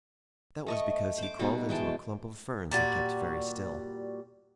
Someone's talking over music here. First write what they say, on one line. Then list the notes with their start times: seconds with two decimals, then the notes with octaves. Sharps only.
That was because he crawled into a clump of ferns and kept very still.
0.66 A3 D#5 C#6
1.18 C5 D6
1.39 B2 G3 D#4 F#4
1.69 E3 G#3 G5 A5
2.71 A#2 G3 F#4